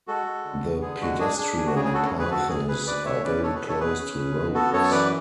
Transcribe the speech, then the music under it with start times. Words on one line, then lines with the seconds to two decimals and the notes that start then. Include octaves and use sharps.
The pedestrian paths are very close to roads.
0.08 G#3 F#4 A4
0.27 G#3
0.45 D3
0.64 B3
0.82 D3 G#4
1.01 G#3 F#4
1.19 D4 G#4
1.38 D4 G#4
1.57 D2 G#4
1.67 F#4
1.75 C#3 G#4
1.85 G#4
1.93 D2 F#4 A4
2.06 G#4
2.13 D2
2.19 G#4 B4
2.31 D2 F#4 A4
2.49 D2 G#4
2.68 D2 G#4 B4
2.87 D2 B4 D5
3.05 B2 C#5 E5
3.24 C#4 B4 D5
3.43 B2 A4 C#5
3.55 G#4 B4
3.62 B2
3.68 A4 C#5
3.80 B2 G#4 B4
3.99 C#4
4.18 C#4
4.36 B2
4.54 B3 F#4 A4
4.73 F#2 A4 C#5
4.91 E3 B4 D5